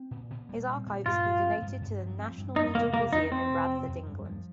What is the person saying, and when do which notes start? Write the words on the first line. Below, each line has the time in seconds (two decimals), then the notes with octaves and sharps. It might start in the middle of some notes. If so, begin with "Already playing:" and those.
His archive is to be donated to the National Media Museum in Bradford, England.
Already playing: C4
0.11 A#2
0.31 A#2
0.49 G3
0.68 C4
0.87 A#2
1.06 G2 F4
1.25 F3
1.43 C4
1.62 G2
1.81 G2
2.00 F3
2.18 C4
2.38 G2
2.56 F2 D#4
2.75 C3 A#3
2.93 F3 A#3
3.13 F2 D#4
3.31 F2 C4
3.50 C3
3.69 F3
3.88 F2
4.06 G2
4.25 F3